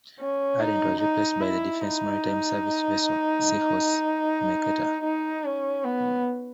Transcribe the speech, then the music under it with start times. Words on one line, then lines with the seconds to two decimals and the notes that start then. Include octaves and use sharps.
"Ardent" was replaced by the Defence Maritime Services vessel "Seahorse Mercator".
0.20 C#4
0.61 D#4
1.00 D#4
1.41 E4
1.81 D#4
5.04 D#4
5.44 C#4
5.84 B3